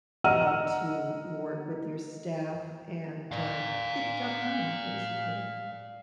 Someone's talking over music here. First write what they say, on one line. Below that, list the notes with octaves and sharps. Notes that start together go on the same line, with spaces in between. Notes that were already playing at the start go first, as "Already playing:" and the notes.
how to work with your staff, and, uh, get the job done, basically.
D#5 F#5 A#5 E6 F6 D#7
D5 F5